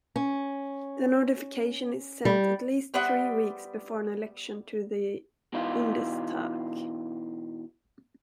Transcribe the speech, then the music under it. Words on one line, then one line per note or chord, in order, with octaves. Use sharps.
The notification is sent at least three weeks before an election to the" Bundestag".
C#4
G3
G3 B3 C5 D5 E5 F#5
B2 E3 D#4 F4